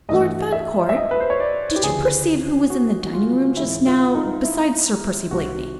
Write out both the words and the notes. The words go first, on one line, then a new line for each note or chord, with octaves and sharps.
"Lord Fancourt, did you perceive who was in the dining-room just now besides Sir Percy Blakeney?"
G2 E3 A3 D#5
E5
E5
D#5
B4
C5
C#5
D5
G4
D2 C#3 F3 G#4
F#4
F#4
F4
G#2 E3 G#3 E4
F4
D#4
E4
C2 C3 D#3 G3 F#4